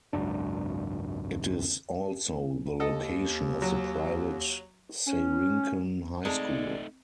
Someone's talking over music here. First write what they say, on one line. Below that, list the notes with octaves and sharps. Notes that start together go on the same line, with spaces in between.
It is also the location of the private Seirinkan High School.
G#1 C#2 F#2 D4
D#2 A4 D#5
F#3
C#4
G#3 A3 C4 D#4 D5 D#5 A5